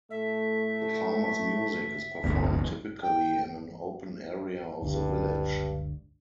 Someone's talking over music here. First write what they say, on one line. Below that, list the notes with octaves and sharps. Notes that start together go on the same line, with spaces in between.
The farmers' music is performed typically in an open area of the village.
A2 A3 E5
D1 G1 E2
G5
F#1 C#2 G2 D3